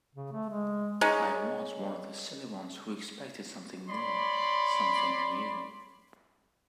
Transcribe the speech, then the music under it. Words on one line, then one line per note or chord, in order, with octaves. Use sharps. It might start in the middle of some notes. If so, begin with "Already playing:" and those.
I was one of the silly ones who expected something more, something new...
C#3
A3
G#3
G#3 C#4 D#4
C#5 D5 B5 C6